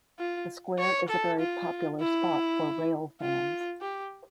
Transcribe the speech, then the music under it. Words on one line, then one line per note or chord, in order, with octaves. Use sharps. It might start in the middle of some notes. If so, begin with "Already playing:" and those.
The square is a very popular spot for railfans.
F4
C#5
A4
F4
E4
F4
G4